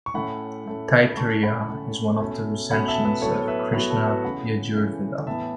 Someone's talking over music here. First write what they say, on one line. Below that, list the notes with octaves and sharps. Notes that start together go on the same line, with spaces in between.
Taittiriya is one of the recensions of Krishna Yajurveda.
C#6
A2 A3 C#4 F#5 B5
A2 A3 C#4
B5
A2 A3 C#4 A5 C#6
F#5 B5
A2 A3 C#4
B2 A3 C#4
B2 A3 C#4 F#5 B5
E5 A5
B4 E5
A2 F#3 B3 A4 C#5
B4 E5
A2 F#3 B3 F#4 B4
A4
F#4 B4
C#3 E3 A3 C#4 F#5 B5
C#3 E3 A3 C#4
A2 E3 B3 E5 A5